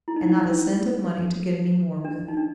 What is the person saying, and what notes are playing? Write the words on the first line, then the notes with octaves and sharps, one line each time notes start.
And not a cent of money to get any more with!
E4
D#4
D#4
E4
D4
C#4
D4
D#4
D4